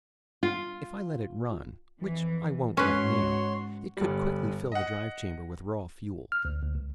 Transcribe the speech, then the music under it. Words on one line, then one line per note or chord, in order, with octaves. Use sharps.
If I let it run--which I won't right now--it could quickly fill the drive chamber with raw fuel.
F4
F2 E3
G#2 C#4 F#4 B4 C#5 C6
G1 G3
D#5 F#5
F6
D2
D2
C#2